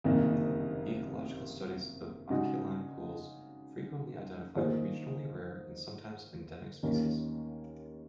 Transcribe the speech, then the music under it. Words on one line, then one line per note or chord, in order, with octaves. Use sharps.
Ecological studies of anchialine pools frequently identify regionally rare and sometimes endemic species.
F#1 F2 C3 D#3 A#3
C#3 G#3 D#4 F#4
D#3 A#3 F4 G#4 C5
D#2 D#3 A#3 C#4